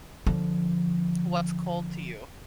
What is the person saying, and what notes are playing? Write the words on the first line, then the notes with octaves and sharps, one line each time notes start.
What's cold to you?
D3 F3